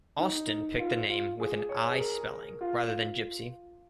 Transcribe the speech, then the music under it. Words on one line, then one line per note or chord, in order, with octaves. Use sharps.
Austin picked the name with an "I" spelling rather than gypsy.
D#4
F4
F4
G#4
C#5
G#4
A#4
F4